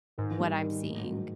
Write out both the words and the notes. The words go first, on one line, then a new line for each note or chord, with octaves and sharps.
what I'm seeing.
G#2 D#3
G3
D#3
A2
F#3